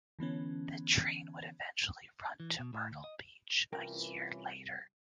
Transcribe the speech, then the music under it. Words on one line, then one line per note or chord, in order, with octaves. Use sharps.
The train would eventually run to Myrtle Beach a year later.
D3 E3 B3 C#4
E3
B2
A2
D2
D#5
C2 E3 C#4 F4 A#4 G5